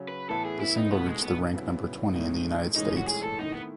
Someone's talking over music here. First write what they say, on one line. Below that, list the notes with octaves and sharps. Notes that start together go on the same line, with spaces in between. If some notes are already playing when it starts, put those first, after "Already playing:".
The single reached the rank number twenty in the United States.
Already playing: C#3 F#3 C#4
B4
A2 E3 B3 E4 A4
G#4
E4
D#4
B2 A3 B3 D#4
G#3
B3
C#3 F#3 B3 E4
A2 G#3 D#4
A2 E3 G#3 C#4 D#4
F#4
G#4
A4
D#3 A3 D#4 E4
B3